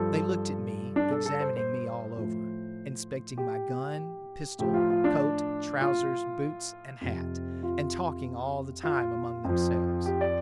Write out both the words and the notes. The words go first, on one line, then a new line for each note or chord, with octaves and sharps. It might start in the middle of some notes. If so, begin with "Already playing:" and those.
They looked at me, examining me all over, inspecting my gun, pistol, coat, trousers, boots, and hat, and talking all the time among themselves.
Already playing: G2 F3 A4
D4
A4
A4
C5
C5
A2 F3
G4
A2 F3 G4
F4
F4
D4
F4
F2 C3 F3
F4
F4
F2 F3
G4
D5